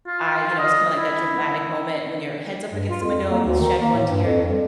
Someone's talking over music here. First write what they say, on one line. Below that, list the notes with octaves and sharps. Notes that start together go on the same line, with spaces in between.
I you know, it was kinda like that dramatic moment when your head's up against the window and you shed one tear,
F4
D#5
E4
G2
F4
F2
A#3
D2
D#3
A#3
A2
G2
F2
G3